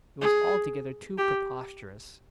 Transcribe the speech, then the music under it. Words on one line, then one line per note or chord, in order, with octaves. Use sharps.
It was altogether too preposterous.
G#4
G4